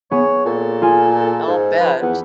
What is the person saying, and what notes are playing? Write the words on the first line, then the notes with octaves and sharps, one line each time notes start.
I'll bet.
B3 G#4 C#5
A#2 A4
F4 G#4 G#5
G#2
F3 B4
E2 B3